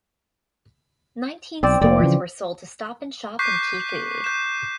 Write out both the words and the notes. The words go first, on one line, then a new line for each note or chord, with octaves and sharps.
Nineteen stores were sold to Stop and Shop and Key Food.
B1 C4 D5
F1 A#3 D5
C#3 E3 F3
C#6 D6 F#6 G6 B6 C7
G6 E7